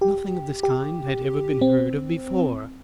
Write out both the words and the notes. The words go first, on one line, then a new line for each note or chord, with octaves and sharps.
Nothing of this kind had ever been heard of before.
G4
G4
C4